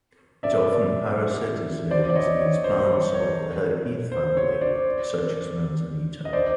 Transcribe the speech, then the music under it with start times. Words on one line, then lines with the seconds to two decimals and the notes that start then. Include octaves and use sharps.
It often parasitizes plants of the heath family, such as manzanita.
0.43 D5 E5
1.91 C5 D5
2.10 D5
2.16 C#5 D#5
2.40 C#5
2.64 C5
2.89 C#5
3.14 C#5
4.12 C5
4.37 C#5
4.61 C5 D5
6.25 D#5
6.33 C5 D5